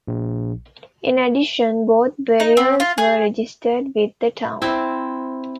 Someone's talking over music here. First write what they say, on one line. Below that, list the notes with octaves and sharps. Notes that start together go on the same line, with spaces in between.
In addition, both burials were registered with the town.
A#1
D#4
C4
F4
G#4
C4 E4